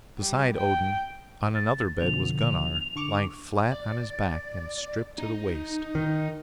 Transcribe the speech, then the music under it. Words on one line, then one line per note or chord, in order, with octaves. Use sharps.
Beside Odin on another bed was Gunnar, lying flat on his back and stripped to the waist.
G3
G5
A6
B2 D3 F3 F7
D3 C#6 D6
D5
D#4
D#3